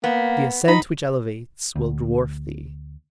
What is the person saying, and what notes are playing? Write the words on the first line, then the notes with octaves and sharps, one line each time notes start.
The ascent which elevates will dwarf thee.
A#3 B3
D#4 B5
D2